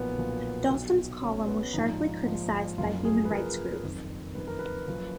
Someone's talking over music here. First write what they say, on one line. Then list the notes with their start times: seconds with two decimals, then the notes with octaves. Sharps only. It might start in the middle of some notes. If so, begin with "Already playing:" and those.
Dostum's column was sharply criticised by human rights groups.
Already playing: B1 A#2 F3 B3
0.17 B1 A#2 F3
0.70 B1 B2
1.22 B1 B2 C#4
1.48 B3
1.73 A#1 G#2 F3 D#4
2.26 A#1 G#2 F3
2.78 F#1 F#2 F3 F4
3.05 G#4
3.25 B4
3.30 F#1 F#2 F3 A#4
3.83 F#1 F2 D#3
4.35 F#1 F2 D#3 B4
4.47 A#4
4.59 B4
4.87 F#1 F#2 F3